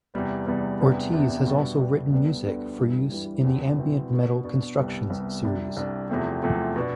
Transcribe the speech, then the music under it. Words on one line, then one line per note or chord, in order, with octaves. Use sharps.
Ortiz has also written music for use in the Ambient Metal Constructions series.
E2 C3 G3 B3
E2 C3 G3 B3
E2 C3 G3 B3 D4
E2 C3 G3 B3 D4
B2 G3 D4
B2 G3 D4
D2 D3 G3 B3 D4
D2 D3 G3 B3 D4
G2 E3 G3
G2 E3 G3
E2 B2 G3 C4 E4
E2 B2 G3 C4 E4
B2 B3 D4
B2 B3 D4
C2 C3 G3 B3
C2 C3 G3 B3
C2 C3 G3 D4
C2 C3 G3 D4
E2 C3 F3 A3 C4
E2 C3 F3 A3 C4
B2 B3 D4